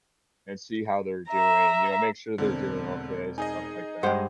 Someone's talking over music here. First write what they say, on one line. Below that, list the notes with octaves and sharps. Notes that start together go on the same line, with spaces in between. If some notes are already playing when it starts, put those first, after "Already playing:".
and see how they're doing, you know, make sure they're doing okay, stuff like that.
E5 A#5
E1 D3 C4
D#4 G#4 D#5 G#5
G2 G3 G#3 C5 F#5 G5